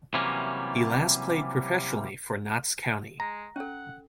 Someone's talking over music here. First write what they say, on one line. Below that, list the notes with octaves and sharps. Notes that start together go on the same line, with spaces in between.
He last played professionally for Notts County.
C3 E3 F#3 G3 A#3 C#4
G#3 A#5
C#4 A4 F#5